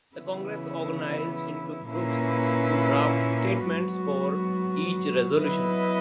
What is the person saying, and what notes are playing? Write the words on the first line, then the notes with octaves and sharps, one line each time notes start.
The Congress organized into groups to draft statements for each resolution.
C#3 E3 B3 E4
A#2 A#3 C#4 E4 B4
G#2 F#3 B3 F#4
F#3 B3 E4 B4 D#5